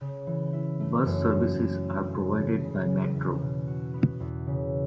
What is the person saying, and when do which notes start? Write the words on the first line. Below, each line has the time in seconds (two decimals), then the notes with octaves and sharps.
Bus services are provided by Metro.
0.01 C#3
0.27 E3
0.53 E4
0.80 A3
1.06 F#2
1.32 F#3
1.58 F#2
1.84 A3
2.10 C#3
2.36 E3
2.64 C#3
2.89 C#4
3.15 E2
3.42 B2
3.67 F#4
3.94 B3
4.20 E2
4.47 C#3